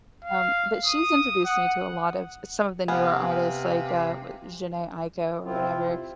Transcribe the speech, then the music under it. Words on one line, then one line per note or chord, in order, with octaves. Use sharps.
um but she's introduced me to a lot of some of the newer artists like, uh, Jheńe Aiko, or whatever.
F5
D#6
F#5
C3 B3 F5 G#5
C3 C4 E4 F4